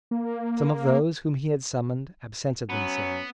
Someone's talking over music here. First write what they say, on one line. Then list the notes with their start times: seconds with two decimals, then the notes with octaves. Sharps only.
Some of those whom he had summoned absented themselves.
0.11 A#3
2.69 F#3 B3 C#4